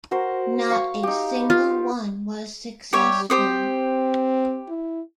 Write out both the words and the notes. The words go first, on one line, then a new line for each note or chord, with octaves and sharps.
Not a single one was successful.
F#4 A#4 C5
F5 C#6
D#4 G4
F4
G3 G4 C#5 E5
C4 G4 C5 D#6
E4